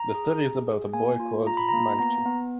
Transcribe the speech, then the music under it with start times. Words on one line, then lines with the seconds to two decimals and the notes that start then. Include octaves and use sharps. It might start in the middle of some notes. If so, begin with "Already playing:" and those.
The story is about a boy called Mangchi.
Already playing: A#5
0.14 G#4
0.40 G#4
0.67 G#4
0.94 A#3 G#5
1.20 F4
1.47 F4 A#5
1.57 B5
1.69 A#3 A#5
1.99 B3 A#5
2.25 B3